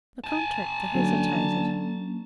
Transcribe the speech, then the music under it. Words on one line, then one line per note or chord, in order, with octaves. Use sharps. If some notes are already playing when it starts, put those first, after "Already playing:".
The contractor hesitated.
G#5 A5
D3 F#3 A#3 C#4